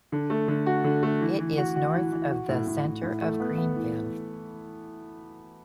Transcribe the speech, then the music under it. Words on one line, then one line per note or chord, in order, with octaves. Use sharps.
It is north of the center of Greenville.
D3
A3
D3
F#4
D3
A3
E3
E3
F#4
F#4
E3
E3
F#4
A2
A2
A2
A2
A3
B3
B3
E3